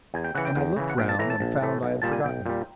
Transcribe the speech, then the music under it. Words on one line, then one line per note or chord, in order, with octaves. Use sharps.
And I looked round, and found I had forgotten them.
E2 G#5
G5
C#3 E3 F#5
G5
E2
C#3 E3
F#5
A#1 G5
A5
A2 E3 A3 A#5
A5
A#1
A2 E3 A3
B1
A#2 G3 A5
G#5
B1 G5
A#2 G3